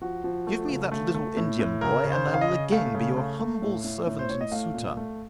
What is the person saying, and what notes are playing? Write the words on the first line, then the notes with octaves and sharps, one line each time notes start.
"Give me that little Indian boy, and I will again be your humble servant and suitor."
F3 F#4
F3
A3
C#3
A3
A3
A2
A2
C#3 A#4
C#3
C5
C#3
F5
D#5
C#3
A3 F5
C#3
A3
A3
A2
A2
A2
C5
A2 C#5
D#5
A3 F5
A#2
A3